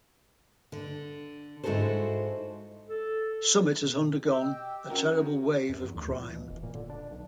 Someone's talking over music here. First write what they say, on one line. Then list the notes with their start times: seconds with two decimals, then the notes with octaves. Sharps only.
Summit has undergone a terrible wave of crime.
0.72 D3
1.64 G#2 E4 F#4 G#4 A4 C5
2.88 A4
3.82 B2
4.25 G4 D#5 G5 E6
4.90 C#4 F#4 A#4
5.70 F#2
5.84 E2
5.95 D2
6.08 A#2
6.21 E3
6.36 B2
6.50 E1
6.63 A#2
6.75 D3
6.90 D4
7.11 B1